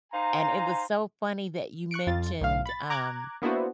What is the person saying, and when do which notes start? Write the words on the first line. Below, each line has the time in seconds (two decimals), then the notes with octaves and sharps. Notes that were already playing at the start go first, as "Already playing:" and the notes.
and it was so funny that you mentioned, um,
0.13 D#4 C5 F5 G#5 A#5
1.91 C#6 F#6 C#7 D7
2.07 F2 F4 A6
2.41 B1 A2 F5
2.66 B5 A6
2.90 A#5 D6 F#6 G#6
3.42 A#3 B3 D4 E4 F#4 C5